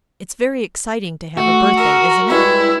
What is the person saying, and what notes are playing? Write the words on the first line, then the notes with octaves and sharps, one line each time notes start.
It's very exciting to have a birthday, isn't it?
A3 F#4
A#4 E5
G2 G#3 E4 E5